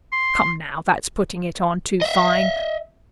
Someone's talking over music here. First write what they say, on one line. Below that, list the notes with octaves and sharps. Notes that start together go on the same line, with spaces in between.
Come, now, that's putting it on too fine.
C6
D#5 E5